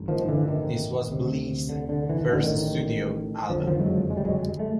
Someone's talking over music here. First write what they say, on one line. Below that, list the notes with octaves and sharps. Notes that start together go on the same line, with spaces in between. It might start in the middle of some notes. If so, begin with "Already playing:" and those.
This was Bleach's first studio album.
Already playing: A1 G2
D#3 F3
D3 E3
D#3
D2 C3
D3
D3
E3
D#3
A1 A2 D3
D#3
F#1 F2 D3 F3
F#3
D#3 F3
F#3 G#3
G#3
G3
F#3 G#3
A3